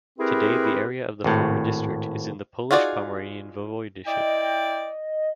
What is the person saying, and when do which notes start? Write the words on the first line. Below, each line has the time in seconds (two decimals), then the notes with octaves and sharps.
Today the area of the former district is in the Polish Pomeranian Voivodeship.
0.18 C4 E4 G4 G#4 A#4 B4
1.24 G#1 A2
2.71 D#4 F4 F#4 G#4 D5
4.06 E4 D5 D#5 G5